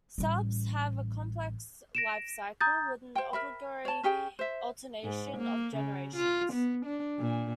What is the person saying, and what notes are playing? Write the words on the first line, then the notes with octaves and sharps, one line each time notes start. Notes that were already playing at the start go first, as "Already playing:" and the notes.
Salps have a complex life cycle, with an obligatory alternation of generations.
A1 G3
A#6 D7 E7
A#5 D#6 G6 A6
C5 G5
A#4 E5 B5
C#5 A5
C#4 G4 G#4 G5
C5 E5
G#2
A#3
C#3
F4
B3
D4
A#2